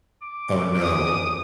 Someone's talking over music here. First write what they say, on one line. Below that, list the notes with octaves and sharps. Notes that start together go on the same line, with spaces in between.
Oh, no.
D6
D#6